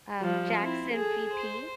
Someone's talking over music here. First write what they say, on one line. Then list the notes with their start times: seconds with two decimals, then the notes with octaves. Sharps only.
um, Jackson VP.
0.20 F3 G3
0.60 C4 E4
0.94 G#4 A4
1.33 C5